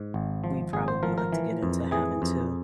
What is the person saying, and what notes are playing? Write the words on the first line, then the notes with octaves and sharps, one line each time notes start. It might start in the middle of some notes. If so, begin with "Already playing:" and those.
we'd probably like to get into having too.
Already playing: G#2
G#1
F3
G#1 G#4
C5
F3 A#4
A#4
E3
F2
E3 G#4
F2